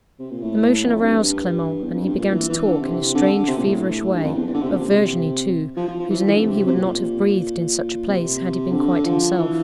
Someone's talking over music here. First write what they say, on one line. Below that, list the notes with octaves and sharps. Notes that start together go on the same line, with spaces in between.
The motion aroused Clement, and he began to talk in a strange, feverish way, of Virginie, too,--whose name he would not have breathed in such a place had he been quite himself.
C3
A#2
A2
F2
G2
G2
E2
F2
G2
A#2
E3
E3
D3
C3
D3
C3
A#2
A2
G2
F2
E2
E2
D3
C3
A#2
C3
F3
F3
F3
E3
F3
E3
D3
C3
C3
A#2
C3
D3
F3
E3